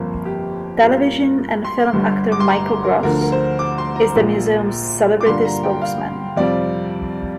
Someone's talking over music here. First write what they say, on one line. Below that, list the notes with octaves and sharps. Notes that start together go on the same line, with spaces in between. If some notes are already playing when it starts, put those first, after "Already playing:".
Television and film actor Michael Gross is the museum's "celebrity spokesman".
Already playing: G1 F2 F3 A#3
G4
G2 G3 A#3 F4
C6
G1 G2 D3 G3
D6
C6
A#5
A#4
D2 D3 F3 A#4
A#4
C5
D6
C6
A#5
A#1 A#2 F3
D6
G2 D3 A#3 D4 F4 C6
A#5
G5
F5
F2 C3 G3 C4 F4 D5